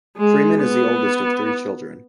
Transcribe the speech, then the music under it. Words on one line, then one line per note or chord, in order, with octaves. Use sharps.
Freeman is the oldest of three children.
G#3
B3